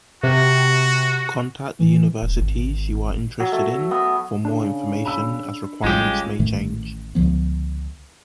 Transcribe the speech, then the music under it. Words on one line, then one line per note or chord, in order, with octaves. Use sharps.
Contact the universities you are interested in for more information as requirements may change.
C3 F#4
E3
D#1
G#1
F#3
A3
B3
C#3 D4
B5 E6
A#1 C#3 G3 G#3 F4 G4
A1 A2 D#3 A3
C#2 D3 F3 B3